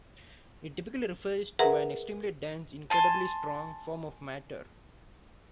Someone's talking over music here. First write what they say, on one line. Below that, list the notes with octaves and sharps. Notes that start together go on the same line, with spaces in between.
It typically refers to an extremely dense, incredibly strong form of matter.
G#4 A#4 B4 E5 F#5 A#5
G#5 A5 C6